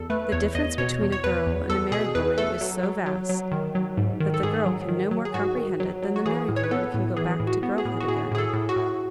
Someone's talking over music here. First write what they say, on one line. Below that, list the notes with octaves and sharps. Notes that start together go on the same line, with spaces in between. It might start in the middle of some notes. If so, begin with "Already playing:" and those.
The difference between a girl and a married woman is so vast, that the girl can no more comprehend it than the married woman can go back to girlhood again.
Already playing: E2 A4
A3 B4
E2 C#5
E2 D#5
B2 C#5
E2
C#5
E2 B4
E2
E2 A4
B2 G#4
E2 B4
A3 A4
F#3
F#3
F#3
F#3
D#3
F#3
G#2
D#3
A4
G#2 G#4
F#3
D#3
F#3
G#4
G#2 F#4
D#3
F#3
F#3
F#4
E3 G#4
A2
C#5
B4
B3 A4
A2
E3 G#4
A2
F#4
B3
G#4
A2
F#4
A2 G#4
A2 G#4
A4
A2
F#4
A2